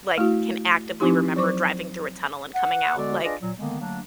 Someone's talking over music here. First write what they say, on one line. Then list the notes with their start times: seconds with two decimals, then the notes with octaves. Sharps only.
like, can actively remember driving through a tunnel and coming out, like,
0.18 A3 E4 F#4
1.00 F3 C4 D#4 E4 G4 C6
1.36 F#3 C5 C#6 D6
2.55 F#5
2.97 D3 G#3 B3 F#4 A4 D5
3.24 D4 F4 G#4 B4 D5 D#5
3.41 A#2 F#3
3.58 D3 D#3 G#3 A#3 B3
3.80 D3 F#3 A3 A#3 D4